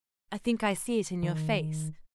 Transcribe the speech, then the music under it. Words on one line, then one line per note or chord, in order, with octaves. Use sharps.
I think I see it in your face.
D#3